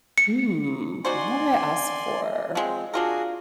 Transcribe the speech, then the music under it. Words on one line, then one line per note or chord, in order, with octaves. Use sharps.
Hmm, what would I ask for?
C#7
D#4 F#4 C5 D5 G#5 C6
F3 G#3 C4
D4 F4 F#4 G#4 A#4